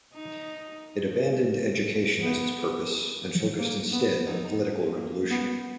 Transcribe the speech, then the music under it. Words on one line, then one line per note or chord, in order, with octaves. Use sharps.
It abandoned education as its purpose and focused instead on political revolution.
D#4
B3
A#3
B3
D#4
A#3
B3